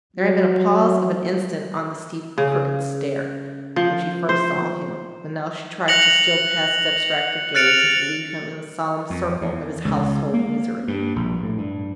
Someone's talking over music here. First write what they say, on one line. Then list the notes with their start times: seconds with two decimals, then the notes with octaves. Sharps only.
There had been a pause of an instant on the steep crooked stair, when she first saw him; but now she tried to steal past his abstracted gaze, and to leave him in the solemn circle of his household misery.
0.16 F#3
2.38 C#3
3.76 F3
4.29 C5
5.88 F#6 A#6 C#7 F7 F#7
7.54 F6 F#6 A6 C#7 D7 F7
9.10 F2
9.41 E2
9.85 C#2
10.34 A#3
10.88 G2
11.16 A#1
11.43 A2
11.58 G2